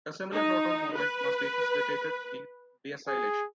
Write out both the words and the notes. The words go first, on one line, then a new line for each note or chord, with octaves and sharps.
A similar proton movement must be facilitated in deacylation.
D#4
B4
G#4